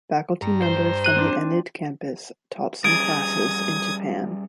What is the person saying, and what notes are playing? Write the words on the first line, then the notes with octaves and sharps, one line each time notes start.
Faculty members from the Enid campus taught some clases in Japan.
G2 A#5
C5
F#6 D#7
C4 D4
G3 C#4 G#4 D#6 G#6 D7